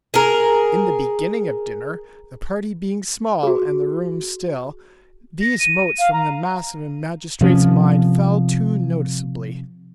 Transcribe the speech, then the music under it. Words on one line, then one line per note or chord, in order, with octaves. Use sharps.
In the beginning of dinner, the party being small and the room still, these motes from the mass of a magistrate's mind fell too noticeably.
G#4 A#4
F#4 G#4
A#6
D#7
F5
A#5
C3 F3 C#4